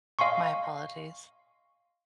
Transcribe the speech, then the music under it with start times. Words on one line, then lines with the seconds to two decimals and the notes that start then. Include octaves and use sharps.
my apologies.
0.19 D#5 F5 G#5 C6 C#6